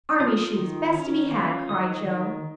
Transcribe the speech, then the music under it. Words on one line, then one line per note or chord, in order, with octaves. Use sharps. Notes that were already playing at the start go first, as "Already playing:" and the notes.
"Army shoes, best to be had," cried Jo.
F4 D#6
F6
D#6
D#3
C#4
F4
D#3 D#6
D#3